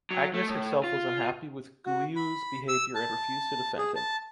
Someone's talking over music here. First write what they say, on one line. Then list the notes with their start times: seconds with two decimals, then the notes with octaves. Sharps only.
Agnes herself was unhappy with Guiu’s behavior and refused to defend him.
0.11 F#3
0.34 A3
0.49 A2
0.84 F4
1.86 F#4
2.16 B5
2.68 E6
2.95 A5
3.78 G#4
3.95 A5